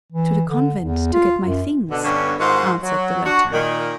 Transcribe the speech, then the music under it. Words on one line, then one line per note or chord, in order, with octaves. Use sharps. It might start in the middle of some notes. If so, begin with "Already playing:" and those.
"To the convent to get my things," answered the latter.
E3
D3
E2
F4
F#2
B2 D3
G2 D3 B3 C#4
G#2 D#3 F4 F#4 C5
F#3
D4 F#4
A#2 D#3